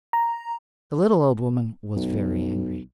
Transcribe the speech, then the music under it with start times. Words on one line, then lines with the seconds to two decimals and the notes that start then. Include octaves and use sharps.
The little old woman was very angry.
0.13 A#5
1.96 B1